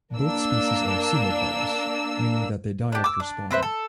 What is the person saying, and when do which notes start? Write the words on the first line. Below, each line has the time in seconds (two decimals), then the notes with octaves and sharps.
Both species are semelparous, meaning that they die after spawning.
0.14 A#3 D4 E6
2.92 D4 G4
3.04 D6 E6
3.20 D4
3.51 C4 B4 C5 E5
3.63 A4